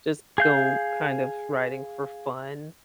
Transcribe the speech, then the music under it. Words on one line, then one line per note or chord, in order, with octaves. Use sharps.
just go kind of riding for fun,
G#4 F5 G6